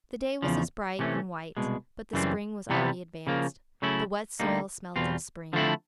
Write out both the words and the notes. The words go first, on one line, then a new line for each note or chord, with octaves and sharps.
The day was as bright and white, but the spring was already advanced. The wet soil smelt of spring.
E2 C#3 F3
C3 E3 A3 C#4
C2 B2 G#3
F#2 C#3 E3 G3 C4
C2 C3 E3 G3 B3
C#3 F3 A#3
C#3 F#3 A3 C#4 E4
D2 D3 G3 A#3 D#4
E2 B2 G3 C4 F4
D3 F3 A3 C4 E4